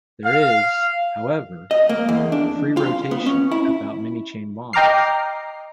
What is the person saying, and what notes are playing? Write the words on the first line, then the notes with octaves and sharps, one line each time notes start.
There is, however, free rotation about many chain bonds.
F5
D#5
A#3
E2
D4
F4
B3
C#4
E4
D#5 G5 A#5 D6 F6 C7